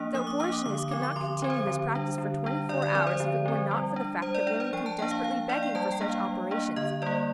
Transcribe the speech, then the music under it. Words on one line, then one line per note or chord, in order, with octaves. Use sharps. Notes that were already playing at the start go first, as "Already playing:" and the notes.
The abortionist could not continue his practice for twenty-four hours if it were not for the fact that women come desperately begging for such operations.
Already playing: F3 A#3 D4 D#6
F3 D#6
D6
A#3 D4 D#6
D6
D3 D#6
D6
F3 C4 D6
D6
D3 C6
F3 C4
C5
D3
G3 D4
D3
G3 D4
D3 D5
D5
F3 C4 D5
C5
D3
F3 C4
G3
D4
G3 C5
D5
D4 D5
C5
F3 G5
A5
A#3 D4 G5
F5
F3 F5
A#3 D4 D5
G5
G3 A5
G5
A#3 D4
F5
G3
A#3 D4
D3 D#5
G3 A#3 D5